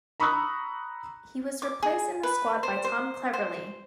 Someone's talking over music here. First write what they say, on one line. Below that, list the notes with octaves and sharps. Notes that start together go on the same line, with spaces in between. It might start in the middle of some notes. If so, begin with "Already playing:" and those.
He was replaced in the squad by Tom Cleverley.
A#5 B5 C#6 D#6 E6 F#6
D6
G#4
B4
C5
C5
C5